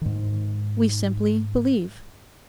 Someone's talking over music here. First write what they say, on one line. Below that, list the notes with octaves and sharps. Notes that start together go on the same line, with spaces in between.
We simply believe.'
G#2 D#3